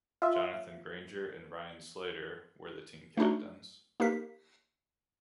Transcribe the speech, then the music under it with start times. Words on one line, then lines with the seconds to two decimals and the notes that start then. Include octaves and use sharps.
Jonathan Grainger and Ryan Slater were the team captains.
0.22 F4 E5
3.17 A3 D4 D#4 F#4
4.00 A#3 D#4 G4 A#4 B6